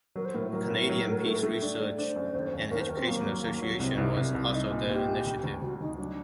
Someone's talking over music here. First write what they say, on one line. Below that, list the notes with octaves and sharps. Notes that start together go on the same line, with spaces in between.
The Canadian Peace Research and Education Association was also their initiative.
F#3 A#4
C5
A2 A#4
F#3 A#4
A2
F#3
A3
A3
A3
D4
A3
D4 C5
F#2
D#2
D#2
D#2 A#4
C5
D#2 A#4
C4
F#3 A#3
F#3
D#2
F#3
C2 C4
C2 D#4
C2
C2
D#4
A#2
A#2 G4
A#2
D2
D2
D2 F#4
D2 D#4
F#3 D4